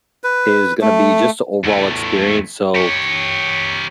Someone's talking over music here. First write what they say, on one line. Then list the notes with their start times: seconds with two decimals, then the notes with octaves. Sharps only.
is gonna be just the overall experience. So
0.24 B4
0.82 A3
1.64 E2 A3
2.75 G4 C#5